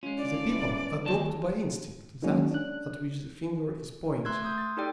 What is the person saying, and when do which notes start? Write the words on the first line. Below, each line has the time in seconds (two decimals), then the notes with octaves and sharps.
The people adopt by instinct that at which the finger is pointed.
0.03 G#3 C#4 F4
0.18 D4 F4 D5
0.49 G3 B3 E4
1.06 D#2 D3 G3 D#5 A5
2.22 D#3 F#3 G#3 A#3 C#4
2.51 D4 F#6
4.25 A3 C6 E6 F#6 G#6
4.43 C6 D#6 G6
4.58 A6
4.77 D#4 G4 A4 D5 G5